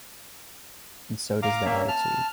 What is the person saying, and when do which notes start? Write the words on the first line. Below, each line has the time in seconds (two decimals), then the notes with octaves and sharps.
And so does the attitude.
1.43 F5 A#5 D6
1.65 A#3 C#4 E5
1.88 A5 F6